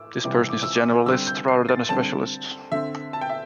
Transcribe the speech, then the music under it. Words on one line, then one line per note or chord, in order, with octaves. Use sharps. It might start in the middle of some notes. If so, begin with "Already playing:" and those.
This person is a generalist rather than a specialist.
Already playing: A2 D6 E6
C3 E3 G3 C4 D6
E6
D6
E6
D6
D3 G3 C4 E6
G6
C7
A6
D3 G3 C4 A5
D3 C4 E5
A5
G5
E5